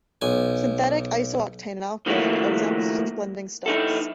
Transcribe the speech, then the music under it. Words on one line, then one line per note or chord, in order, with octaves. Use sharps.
Synthetic iso-octane and alkylate are examples of such blending stocks.
B1 G#5
D#3 F3 A3 A#3 E4 F#4
D#4 E4 A4